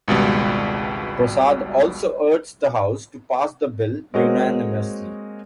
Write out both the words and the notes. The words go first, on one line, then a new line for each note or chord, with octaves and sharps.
Prasad also urged the House to pass the bill unanimously.
G#1 C#2 B2 G3
G#3 A#3 C4 F#4 C#5 D#5